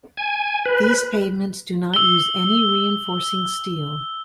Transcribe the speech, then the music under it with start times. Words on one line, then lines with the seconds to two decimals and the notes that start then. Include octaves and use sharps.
These pavements do not use any reinforcing steel.
0.17 G#5
0.65 B4
1.94 E6 G7